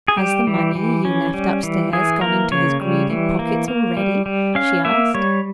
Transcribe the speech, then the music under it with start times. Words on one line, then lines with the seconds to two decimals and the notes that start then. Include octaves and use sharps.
"Has the money you left upstairs gone into his greedy pockets already?" she asked.
0.08 G#4
0.17 G3 G4
0.47 E3
0.75 E3
1.05 C#4
1.34 G3
1.63 E3
1.93 E3 G#4
2.21 A#3 A#4
2.51 C#3 C#5
2.81 G3
3.10 E3
3.39 A#3
3.68 A#3
3.97 G3
4.26 G3
4.55 C#4 F5
4.85 A#3 E5
5.14 G3 C#5